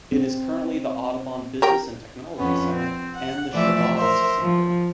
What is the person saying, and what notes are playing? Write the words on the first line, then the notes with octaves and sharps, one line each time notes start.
It is currently the Audubon Business and Technology Center and the Shabazz Center.
C4
G4 A#4 G5
F2 B3 C#4
C4
F#5
E3 F3 A3 D5 E5
A#4 C5 E5
F3